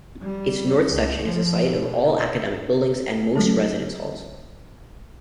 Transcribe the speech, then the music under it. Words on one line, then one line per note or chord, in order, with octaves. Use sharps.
Its north section is the site of all academic buildings and most residence halls.
G3
C#2
F3
B2
F#3 G#3 A3 C#4 A4